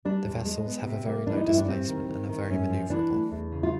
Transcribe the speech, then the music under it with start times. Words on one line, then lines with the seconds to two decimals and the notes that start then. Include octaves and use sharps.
The vessels have a very low displacement and are very maneuverable.
0.05 G3 D4
0.25 E2
0.45 G#3
0.66 B3
0.86 C3
1.07 A#3
1.27 E3 D4
1.37 D#4
1.48 G2 E4
1.58 D4
1.68 G3 C4
1.88 D#3
2.09 D#3
2.29 D#3
2.50 F#2 C#4
2.70 F3
2.90 E3 D4
3.11 A3
3.31 E2
3.52 C#3
3.63 F4